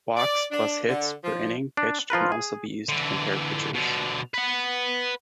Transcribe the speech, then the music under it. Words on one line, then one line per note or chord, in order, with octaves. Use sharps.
Walks plus hits per inning pitched can also be used to compare pitchers.
D5
D4
D3
F3
D4
F3 F4 A#4 B4
G#4
D3 E3
B2 D3
B4 F#5